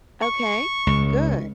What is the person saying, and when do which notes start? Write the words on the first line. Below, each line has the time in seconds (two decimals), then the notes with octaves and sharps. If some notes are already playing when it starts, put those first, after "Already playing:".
Okay. Good.
0.23 C#6
0.87 C#2